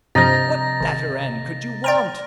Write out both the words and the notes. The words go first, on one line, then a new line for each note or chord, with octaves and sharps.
What better end could you want?
G2 C3 F3 D#5 A#5 G6 A6 A#6
G#1
D5 G5 A#5 F6